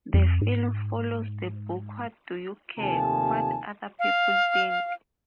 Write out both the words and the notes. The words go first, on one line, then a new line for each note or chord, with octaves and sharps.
The film follows the book What Do You Care What Other People Think?
F2
G#2
D#2 C3 F3 A3 G#5 A5
F5